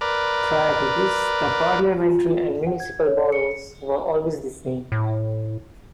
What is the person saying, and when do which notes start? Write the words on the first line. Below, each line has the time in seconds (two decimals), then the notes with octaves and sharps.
Prior to this, the Parliamentary and Municipal Boroughs were always the same.
0.01 A#4 B4 D5
2.00 F4
2.67 F#5
2.80 G#6
3.06 C#5
3.32 C#7
4.92 A2